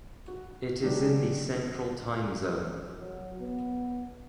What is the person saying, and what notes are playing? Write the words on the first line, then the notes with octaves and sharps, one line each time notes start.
It is in the Central time zone.
F#4
D#3 F#3 G#3 D4 G4
F#2
F#3
B3